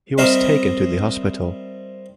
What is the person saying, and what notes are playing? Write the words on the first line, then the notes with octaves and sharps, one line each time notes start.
He was taken to the hospital.
G3 C4 A#4 C5 D#5 E5